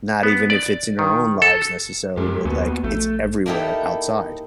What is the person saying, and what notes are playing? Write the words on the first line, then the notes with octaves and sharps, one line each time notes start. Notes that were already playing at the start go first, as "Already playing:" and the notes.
not even if it's in our own lives necessarily, but, like, it's everywhere outside.
B3
D5
D#3
A4
F#2 G#3 G4 A#4
D#2 A#3 B3 F#4
A#1 A3
A#3 D#4 E4 G4 A4